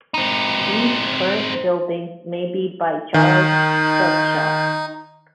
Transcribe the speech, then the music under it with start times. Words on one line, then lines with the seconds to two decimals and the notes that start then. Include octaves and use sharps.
These current buildings may be by Charles Trubshaw.
0.14 C4 D#4
3.14 D#3 D#4